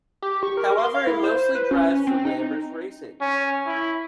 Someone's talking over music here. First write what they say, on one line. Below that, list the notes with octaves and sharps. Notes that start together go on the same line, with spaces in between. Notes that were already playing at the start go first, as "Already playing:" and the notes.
However he mostly drives for Lamers Racing.
G4
C#6
A#4
C6
F5
E4
C5
B4
C#4
C4
D#4
C#4
E4